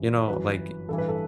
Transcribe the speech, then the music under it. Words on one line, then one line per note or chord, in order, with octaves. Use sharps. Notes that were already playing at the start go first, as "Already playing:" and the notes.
you know, like,
Already playing: G1 F#2 E3
G1 F#2 E3 B4
A1 G2 E3 A4
B4
A4